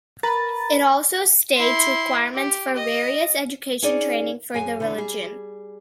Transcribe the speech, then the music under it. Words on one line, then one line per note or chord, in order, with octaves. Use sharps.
It also states requirements for various education training for the religion.
A#4 B4 A#5 A6
E4 C6
G4
D#5
C#4 D#4 G#4 D5
F#2 G#4 G#5
E2 G#2 D3
G3 G#4